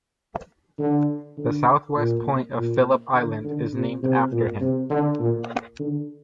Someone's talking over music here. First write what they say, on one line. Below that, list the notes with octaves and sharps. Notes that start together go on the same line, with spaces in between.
The south-west point of Phillip Island is named after him.
D3
D3
A#2
A#2
D3
D3
C3
C3
A#2
C3
D3
A#2
D3